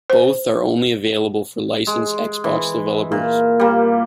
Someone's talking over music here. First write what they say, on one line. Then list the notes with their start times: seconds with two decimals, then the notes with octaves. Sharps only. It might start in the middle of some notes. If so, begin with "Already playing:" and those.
Both are only available for licensed Xbox developers.
0.10 C5
1.87 G#3
2.44 E3
3.12 A#2
3.60 G3 A#3